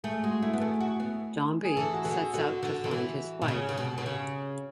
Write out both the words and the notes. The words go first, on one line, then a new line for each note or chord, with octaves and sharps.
Dombey sets out to find his wife.
A3 G#4
G#3 F#4
A3 E4
B3
A4
A3 G#4
F#4
B3
G#4
E3 A4
F#4
D3 G#4
D3 F#4
D3
D3
E3
B2
C#3 G#4
C#3
B2
B2
C#3